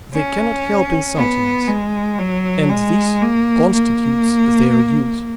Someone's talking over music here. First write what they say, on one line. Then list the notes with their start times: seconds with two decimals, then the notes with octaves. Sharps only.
They cannot help insulting us, and this constitutes their use.
0.14 C#4
1.16 B3
1.68 G#3
2.19 F#3
2.70 G#3
3.21 A#3
3.72 A#3